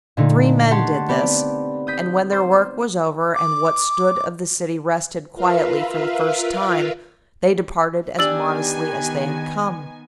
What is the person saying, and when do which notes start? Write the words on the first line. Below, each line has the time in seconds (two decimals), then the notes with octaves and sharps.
Three men did this, and when their work was over and what stood of the city rested quietly for the first time, they departed as modestly as they had come.
0.17 A#2 D3 A3 D#4
0.71 G4 C#5 F#5 A5 C6
1.09 B3 C4 G4 D5
1.87 D#6 G6 B6
2.32 C5
3.35 D6
5.35 F4 A#4 B4 E5 F5
8.19 D#3 B3 D4 G4 G#5 E6 A6 F#7